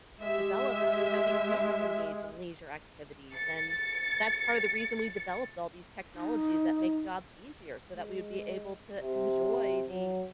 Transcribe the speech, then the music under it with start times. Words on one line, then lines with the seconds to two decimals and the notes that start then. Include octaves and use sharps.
develop so that we can engage in leisure activities, and that's part of the reason we developed all these technologies that make jobs easier so that we would be able to enjoy the
0.20 G#3 G4 E5
3.33 A6 C#7
6.14 D#4
7.95 G#3
8.98 C3
9.88 F#3